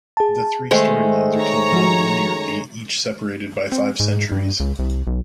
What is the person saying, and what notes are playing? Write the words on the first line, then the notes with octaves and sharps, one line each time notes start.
The three story lines are told nonlinearly, each separated by five centuries.
G#4 A5
D#3 G#3 A3 C5
C#5 A#5
F3 F#4
C4
G#2
G2
C#2
C2
B1